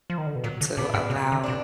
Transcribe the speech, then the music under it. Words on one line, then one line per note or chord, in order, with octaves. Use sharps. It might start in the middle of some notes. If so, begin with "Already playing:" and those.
to allow,
F3
D#3
D3
B2
A#2 F#3
D3
A#2 B3 D4
G#2
B2 F#3
D3
B2 B3 D4